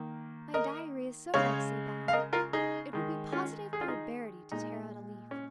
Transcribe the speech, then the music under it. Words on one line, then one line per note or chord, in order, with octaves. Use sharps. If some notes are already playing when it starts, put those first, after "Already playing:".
My Diary is so nicely bound--it would be positive barbarity to tear out a leaf.
Already playing: D#3 A#3
A#4 D#5
C#3 G#3 C#5 F5
F5
A#4 D#5
F4 A#4
D#4 G#4
D#3 G#3
C#4 F4
G#4
F4
D#4 G#4
A#2 G#3 D#4
C#4